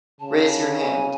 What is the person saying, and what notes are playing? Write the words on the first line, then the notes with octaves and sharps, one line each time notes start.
Raise your hand.
C#3 A5
G#5